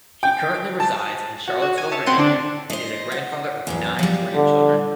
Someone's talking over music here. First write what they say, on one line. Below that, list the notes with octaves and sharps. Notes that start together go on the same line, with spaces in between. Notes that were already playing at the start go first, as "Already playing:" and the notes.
He currently resides in Charlottesville, Virginia and is a grandfather of nine grandchildren.
G5
A5
F#4
F#4
G#5
C#5 E5 A5
B2 C4 F#5 C6 C#7 D#7
D3 D4 D5
C5 D#5
F#5
E2 G2 F#3
F3 G3
D3